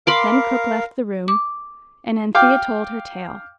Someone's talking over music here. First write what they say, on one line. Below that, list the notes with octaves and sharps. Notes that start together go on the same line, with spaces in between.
Then cook left the room, and Anthea told her tale.
A#4 F5 B5 C6 D6
D6
F5 G5 D6